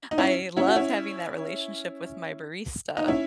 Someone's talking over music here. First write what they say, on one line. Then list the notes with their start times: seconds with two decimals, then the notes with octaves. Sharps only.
I love having that relationship with my barista,
0.11 D#4
0.18 C#4 E4
0.57 C#4 E4
0.68 F#4
0.76 C#4 E4
2.97 D#4
3.08 C#4 E4